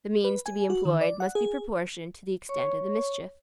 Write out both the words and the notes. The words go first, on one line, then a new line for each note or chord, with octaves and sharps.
The means to be employed must be proportioned to the extent of the mischief.
B4
G#5
F#4
D#3
D5
F#5
G#4
C#5 C#6